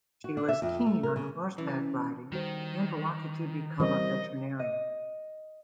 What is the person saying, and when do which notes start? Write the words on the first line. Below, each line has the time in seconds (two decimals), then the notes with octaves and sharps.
She was keen on horseback riding and wanted to become a veterinarian.
0.24 F#4
0.37 D4
0.49 E5
0.62 F2
0.86 A3
1.03 A#4
1.16 C#3
1.58 E3 C#4
2.32 D#3 G3 F#4 C5
3.80 E3 G3 C4 A#4 C5 D#5
4.59 D#5